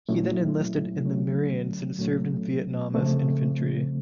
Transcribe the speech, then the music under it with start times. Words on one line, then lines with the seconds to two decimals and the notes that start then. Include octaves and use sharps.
He then enlisted in the Marines and served in Vietnam as infantry.
0.09 A#2 F#3 A3 C#4 E4
1.04 D3 F#3 A3 C#4
1.99 A#2 F#3 A3 C#4
2.94 C#3 F3 A3 C4